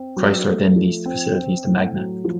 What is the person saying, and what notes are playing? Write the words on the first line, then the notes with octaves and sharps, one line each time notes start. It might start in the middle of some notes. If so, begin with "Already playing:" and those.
Chrysler then leased the facilities to Magna.
Already playing: C4
F#3
A3
F3
C4
C4
A2
F#3
F3